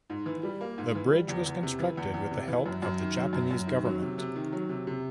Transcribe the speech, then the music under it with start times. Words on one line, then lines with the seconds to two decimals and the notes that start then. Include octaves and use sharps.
The bridge was constructed with the help of the Japanese Government.
0.10 G#2
0.26 E3
0.43 G3
0.61 A#3
0.78 G#2
0.95 E3
1.11 G3
1.28 E2
1.46 E2
1.63 C3
1.80 E3
1.97 E2
2.14 E2
2.31 C3
2.48 E3
2.66 F#2
2.82 F#2
3.00 D#3
3.16 F#3
3.33 F#2
3.51 F#2
3.67 D#3
3.85 F#3
4.02 C3
4.18 C3
4.35 D#3
4.52 F#3
4.69 C3
4.87 C3